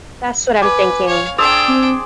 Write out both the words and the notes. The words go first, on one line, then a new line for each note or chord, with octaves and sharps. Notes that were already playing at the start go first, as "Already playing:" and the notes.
That's what I'm thinking.
B4 G#5 D6
C#5 F5
D4 G#4 C5 D5 G5 E6 F7
C4